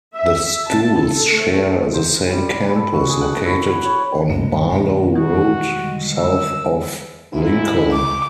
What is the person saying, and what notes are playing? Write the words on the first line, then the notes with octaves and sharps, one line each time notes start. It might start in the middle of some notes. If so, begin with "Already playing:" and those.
The schools share the same campus, located on Barlow Road, south of Lincoln.
E5
A5
A4
A3
C5
G3
D5
B5
A4
F#4
G#4
F#5
A3
E4
B5
C#5
G2 G3 G#3 A#3
E2 B2 D#3 G#3
E3 D#4 F#4 G4
D3 G3 G#3
E6
G#2 E4
D6